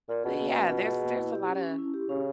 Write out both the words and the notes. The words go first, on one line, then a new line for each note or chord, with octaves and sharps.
but, yeah, there's there's a lotta
A#2 F4
B2 G#4
A#3
C#4
F4
G#4
A#3
E4
G4
C#4
C#4
E4
G4
C#3 C#4